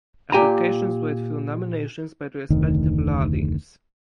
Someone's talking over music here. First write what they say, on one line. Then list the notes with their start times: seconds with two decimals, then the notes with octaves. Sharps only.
Applications were through nominations by the respective Law Deans.
0.32 A#2 G4 G#5 A#5
2.50 F1 D2 D#3